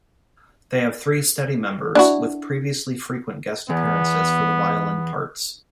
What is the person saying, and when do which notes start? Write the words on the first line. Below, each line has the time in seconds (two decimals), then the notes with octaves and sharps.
They have three steady members with previously frequent guest appearances for the violin parts.
1.95 D4 E4 F#4
3.70 E2 B3